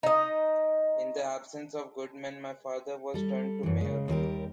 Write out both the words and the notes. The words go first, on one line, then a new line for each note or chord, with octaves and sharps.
In the absence of good men, my father was turned to mayor.
D#4 D#5
G3 A4
F#2 E3
C#3 G#3
D#2 G3 G4 A#4